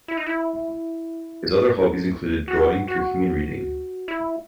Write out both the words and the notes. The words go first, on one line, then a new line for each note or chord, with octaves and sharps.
His other hobbies include drawing, cooking and reading.
E4
D#4
E4
F#4
F#4
E4